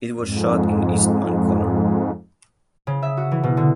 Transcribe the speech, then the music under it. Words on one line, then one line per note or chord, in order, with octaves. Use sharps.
It was shot in Eastmancolor.
F2 G#2
C#3
E5
F#4
E3
B2
D3